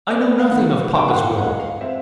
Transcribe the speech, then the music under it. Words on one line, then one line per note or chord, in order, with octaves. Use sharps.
'I know nothing of papa's will.
C4 D5
F5
D#3 F#5
D#3 G5
F#5
F5
G#3 F#5
F5
C4 E5